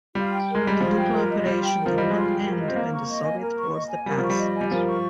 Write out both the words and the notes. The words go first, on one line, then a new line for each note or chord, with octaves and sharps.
The Dukla operation did not end when the Soviets forced the pass.
G3 F4
G5
A#4
G#3
G3 D#5
F3 F4
G5
A#4
D#5
G3 F4
G5
A#4
F3
G3 D#5
G#3 F4
G5
A#4
D#5
C4
A#3 A#4
C#6
D#5
G#5
A#4
C#6
D#5
G#5
G3 A#4
F3 C#6
G3
D#5
G#5
G3
F3 A#4
C#6